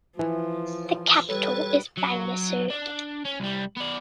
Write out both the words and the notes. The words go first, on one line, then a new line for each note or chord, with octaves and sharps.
The capital is Bangassou.
E3 F3
G3 A4 B4 C#5
F#3
D4
C#4
C2 G3
B3 D5